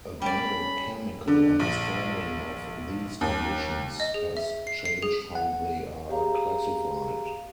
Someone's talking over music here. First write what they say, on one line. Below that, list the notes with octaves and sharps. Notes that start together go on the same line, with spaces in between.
A biochemical understanding of these conditions has changed how they are classified.
G3 C#4 D5 B5
D3
A#1
D#2
D#5
G#4
E5
C7
C7
G#4
F#5
G4 G#4 F5 A#5